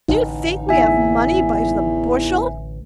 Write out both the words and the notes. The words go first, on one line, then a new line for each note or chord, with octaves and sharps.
'Do you think we have money by the bushel?'
A1 D2 D#4
E2 E5 G#5